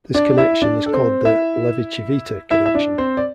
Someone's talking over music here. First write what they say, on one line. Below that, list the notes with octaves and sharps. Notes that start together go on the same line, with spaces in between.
This connection is called the Levi-Civita connection.
D4 D5
E4 E5
D4 D5
A4
C4 C5
E4 E5
E4 E5
E5
D4 D5
C4 C5
D5